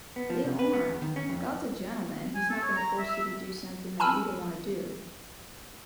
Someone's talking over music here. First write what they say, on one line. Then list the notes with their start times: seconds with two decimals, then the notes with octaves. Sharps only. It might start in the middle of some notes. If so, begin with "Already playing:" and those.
They aren't. God's a gentleman, he's not gonna force you to do something that you don't wanna do.
0.16 B3
0.30 F3
0.44 C3
0.59 B4
0.73 B3
0.88 E2
1.02 D#3
1.16 C#4
1.29 F2
2.35 G#5
2.50 A4
2.63 C#5
2.76 A#5
2.98 E5
3.10 E5
4.00 G#5 A5 B5 E6 F6 D#7